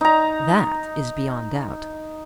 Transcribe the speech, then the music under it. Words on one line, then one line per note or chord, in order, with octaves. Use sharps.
"That is beyond doubt."
D#4 A#5